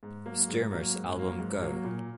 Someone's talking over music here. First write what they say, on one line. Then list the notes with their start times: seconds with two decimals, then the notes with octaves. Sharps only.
Stuermer's album Go!
0.03 G#2
0.26 F#3 A#3
0.48 G#2
0.71 F#3 A#3
0.94 G#2
1.16 F#3 A#3
1.39 G#2
1.62 F#3 A#3
1.85 A#2